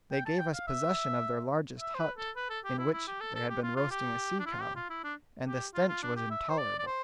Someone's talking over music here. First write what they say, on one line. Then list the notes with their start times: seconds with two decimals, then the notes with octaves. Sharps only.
They gave us possession of their largest hut, in which they had been roasting a sea-cow, and the stench was intolerable.
0.11 G5
0.25 A5
0.38 G5
0.53 F5
0.67 E5
1.80 E5
1.94 C5
1.99 B4
2.17 A4
2.36 B4
2.50 A4
2.64 G4
2.78 E4
2.92 E4
3.07 G4
3.20 A4
3.35 A4
3.49 G4
3.63 F4
3.76 F4
3.91 G4
4.39 D4
4.46 E4
4.53 F4
4.62 G4
4.76 F4
4.90 E4
5.04 D4
5.46 G4
5.74 F4
5.88 F4
6.02 D4
6.16 G4
6.30 E5
6.49 C5
6.58 D5
6.79 D5
6.86 C5